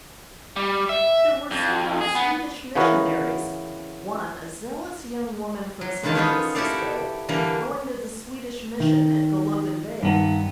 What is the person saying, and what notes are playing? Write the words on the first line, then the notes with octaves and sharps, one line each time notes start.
There were several Swedish missionaries; one, a zealous young woman from San Francisco, going to the Swedish Mission at Golovin Bay.
G3
E5
F2
G#4
B3
C#3 E3 B3 F#4 A#4
F#3
E2 D3 D#3 F4 A5
B3 C#4 D#4 G#4 B4 C#5
E4 F#4 G4 A4 D5 F5
G5
D3 E3 G3 A#3
D#3
G2 D#3 B3 A#5